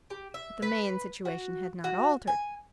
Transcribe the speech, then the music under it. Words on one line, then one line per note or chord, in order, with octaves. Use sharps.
But the main situation had not altered.
G4
E5
B4
F#4
F#4
G#5